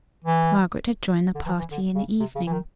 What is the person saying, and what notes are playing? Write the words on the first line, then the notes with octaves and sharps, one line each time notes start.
Margaret had joined the party in the evening.
E3
D3
E3
E3
D3
C#3
C3
C#3
E3
D#3